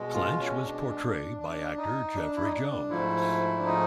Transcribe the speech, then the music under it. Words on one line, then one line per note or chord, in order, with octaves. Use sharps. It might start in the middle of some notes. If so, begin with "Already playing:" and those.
Clench was portrayed by actor Jeffrey Jones.
Already playing: B2 G#3
F4
C#4
D4
D4
D#4
D4
E4
D#4
D4
G#2 F3 A3 E4
D4
D#4